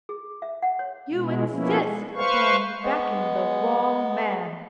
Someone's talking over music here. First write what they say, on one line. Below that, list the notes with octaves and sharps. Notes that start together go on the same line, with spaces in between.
You insist upon backing the wrong man.
G#4
E5
F#5
C#5
B2 G#3
F3 A#3 B3 C#4 E4
G#3
B4 C5 F5 C#6
G#3 B3